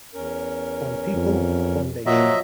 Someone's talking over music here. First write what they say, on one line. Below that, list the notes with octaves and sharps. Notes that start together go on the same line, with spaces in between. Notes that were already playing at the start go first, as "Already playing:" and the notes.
One people, one nation.
E2 C#4 A#4
F2
A#2 F3 F#3 D#5 E5